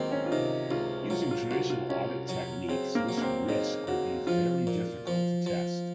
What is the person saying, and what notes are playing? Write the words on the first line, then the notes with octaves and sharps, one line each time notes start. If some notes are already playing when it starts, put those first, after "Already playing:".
Using traditional audit techniques this risk would be very difficult to test.
Already playing: C#2 D#3 F#3 A#3 C4
C#4
F4
C3 D#4
C#2 F4
F#3 F4
F4
C2 F#4
F4
C2 C#4
F#3
C#3 C4
A#3
F#3
A#3
C4
C#3 D#4
C#3 F#4
F3 F4
A#2
F3
F3